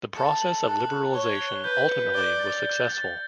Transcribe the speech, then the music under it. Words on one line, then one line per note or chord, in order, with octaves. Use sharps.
The process of liberalization ultimately was successful.
A4 C#7
F#7
A4 F#6
F#6
C#5 G7
G7
B4 G6
C#7
D5 G7
A6
G7
A6